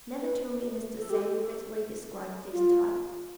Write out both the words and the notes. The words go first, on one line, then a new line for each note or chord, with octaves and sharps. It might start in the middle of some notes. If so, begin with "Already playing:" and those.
"Never two minutes the same" fitly describes this type.
B4
A4
G4
A4
F4